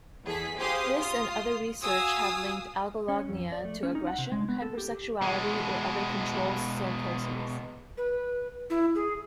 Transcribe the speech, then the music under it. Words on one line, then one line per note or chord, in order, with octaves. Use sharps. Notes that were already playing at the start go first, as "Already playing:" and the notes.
This and other research have linked algolagnia to aggression, hypersexuality, or other control psychoses.
E2 G#4 A4 B6
G4 G#4 C5 F5 D#6
F4 D#6
F#4 F5 G#5 D#6 E6
C#4
F2
D5
A3
C#4
D#4
F#5
C3
G#3
B3
A4
G4
B2 G#3
B4
E4
G#4